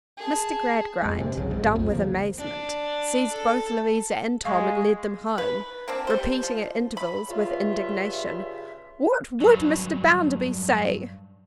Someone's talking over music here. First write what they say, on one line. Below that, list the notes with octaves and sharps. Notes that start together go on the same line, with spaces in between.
Mr. Gradgrind, dumb with amazement, seized both Louisa and Tom and led them home, repeating at intervals, with indignation: "What would Mr. Bounderby say!"
G#4 A5
F2 G#3
G2 C3
C2 C#3 F#3
G#1 G#2
B1 F2
C#3 F3 A#3
D4
A4
G#3 F5 C#6
B4
A#3 C4 D4
G3 C5
F3
B5
G2 C#3 F4 E5
G2 F#3